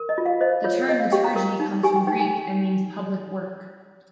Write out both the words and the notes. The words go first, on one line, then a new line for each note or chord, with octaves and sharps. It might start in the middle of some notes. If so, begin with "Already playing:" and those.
The term liturgy comes from Greek and means "public work".
Already playing: A#4
D#5
F4
F5
C5 D#5
F4 C#5
C#5 D#5
F5
G4 G5
A#5
A#4
D#4
G4 G#5
G5
D#4 G5
G#5